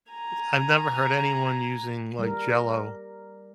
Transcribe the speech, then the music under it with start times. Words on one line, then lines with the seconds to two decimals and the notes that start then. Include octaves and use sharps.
Uh, I've never heard anyone using, like, Jell-O
0.11 G#5 A#5
2.19 G3 A#4